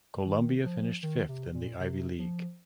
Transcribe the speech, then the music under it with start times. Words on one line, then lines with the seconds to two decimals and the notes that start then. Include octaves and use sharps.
Columbia finished fifth in the Ivy League.
0.26 D#3
0.65 F3
1.03 D#3
1.28 C3
1.54 A#2
1.80 C3
2.19 F3